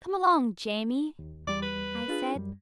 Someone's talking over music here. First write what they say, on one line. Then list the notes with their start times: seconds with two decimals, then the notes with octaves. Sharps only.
"Come along, Jamie," I said.
1.19 D#2
1.47 E2 G3 D5
1.62 B4
2.08 D4 F4 G#4
2.36 F#2 G3